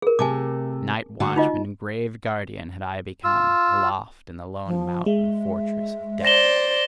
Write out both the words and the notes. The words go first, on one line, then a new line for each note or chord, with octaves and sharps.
Night-watchman and grave-guardian had I become, aloft, in the lone mountain-fortress of Death.
G#4 A#4
C3 A3 G#5 A5 D6
D3 A3 F#4
D#4 F4 D#5
F4 E6
F3
G#3 E5
C5 D5 A#6 E7 G7